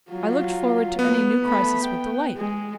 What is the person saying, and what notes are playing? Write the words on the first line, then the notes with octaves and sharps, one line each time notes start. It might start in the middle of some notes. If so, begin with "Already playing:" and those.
I looked forward to any new crisis with delight.
F#3 F4
B3
A3 B5
G5
G#3